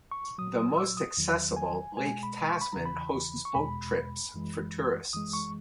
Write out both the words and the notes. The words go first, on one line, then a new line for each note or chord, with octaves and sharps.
The most accessible, Lake Tasman, hosts boat trips for tourists.
C#6
A#2 F#3 D#6
D#6
E6
D#6
E2 D#3 F#3
G#5
B2 G#3 G#5
B5
C#6
B5
E2 C#3 E3 A#5
B5
C#6
E2 B2 G#3 B5
F#2 E3 G#3
F#2 E3 G#3 D#6
C#6